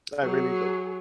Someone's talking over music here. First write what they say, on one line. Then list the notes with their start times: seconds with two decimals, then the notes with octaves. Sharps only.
I really do.
0.20 F#3 G#4